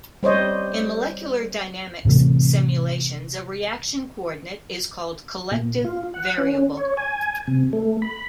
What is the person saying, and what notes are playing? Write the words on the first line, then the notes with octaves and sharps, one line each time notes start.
In molecular dynamics simulations, a reaction coordinate is called collective variable.
G3 C5 C#5 D#5
A2 C3 E3 A3
A#2
F4
F#5
C#4
C#5
G#5
C3
A3
B5